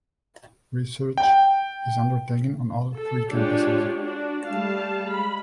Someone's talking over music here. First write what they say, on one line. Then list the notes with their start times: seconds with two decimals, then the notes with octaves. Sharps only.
Research is undertaken on all three campuses.
1.18 G5
2.94 A4
3.28 G#3 D4 F4 G4 C#5
3.98 D4 F#4
4.45 G3 A3 F5 A5
5.05 G#3 B5